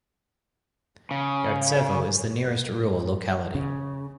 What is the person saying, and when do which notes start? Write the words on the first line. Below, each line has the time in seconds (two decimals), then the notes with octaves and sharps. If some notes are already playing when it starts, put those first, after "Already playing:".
Yartsevo is the nearest rural locality.
1.11 C#3
3.55 C#3